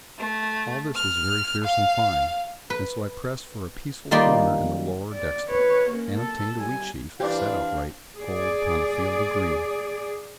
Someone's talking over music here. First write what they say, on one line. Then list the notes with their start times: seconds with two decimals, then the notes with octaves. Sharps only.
All this was very fierce and fine; and so I pressed for a peaceful corner in the lower dexter, and obtained a wheat-sheaf set upright, gold upon a field of green.
0.18 A3
0.95 F6
1.64 F5
2.70 B4
4.11 D#3 G3 A#3 F4 D5 C6
5.13 D5
5.50 B4 C#5
5.90 A#3 C#4
6.19 A4
6.56 G3 G#5
7.20 E3 C4 D4 G4 D5 F5
8.17 G#4 D5